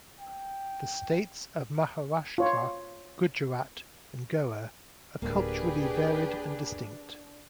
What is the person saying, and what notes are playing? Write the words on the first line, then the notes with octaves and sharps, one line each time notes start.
The states of Maharashtra, Gujarat and Goa are culturally varied and distinct.
G5
F4 C#5
D1 A#3 D4 G4 G#4 B4